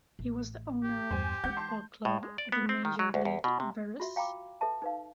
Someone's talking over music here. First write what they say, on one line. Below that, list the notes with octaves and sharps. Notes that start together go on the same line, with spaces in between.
He was the owner of the football club of the major league "Veres".
A1
G4
E2 G2 C5 G#5
E3 G#3 F#5 G6
A5 C6
A2
G#3
D5
B3
C4
D#3
F#3
D2
E2
B2
C3
F4 F#4 E5
F5 G5 A#5 B5 D6
A4 B4 E5 A5
D#4 B4 F5